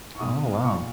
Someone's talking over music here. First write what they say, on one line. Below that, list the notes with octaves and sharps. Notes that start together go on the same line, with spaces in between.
Oh, wow.
C#6
B1 D#6
A#2 C#6